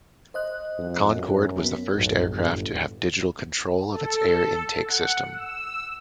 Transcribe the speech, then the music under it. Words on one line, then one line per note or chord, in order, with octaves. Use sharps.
Concorde was the first aircraft to have digital control of its air intake system.
C5 D#5 F#6
F2
F#2
B3
B1 F#2 A2 F#3
G1
A4
F#5
E6